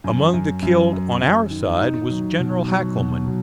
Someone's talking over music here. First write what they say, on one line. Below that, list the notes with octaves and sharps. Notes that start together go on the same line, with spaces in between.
Among the killed on our side was General Hackelman.
F#2
F#2
F#2
F#2
F#2
D#3
D#4
F#3
B2
F#3
B2
F#3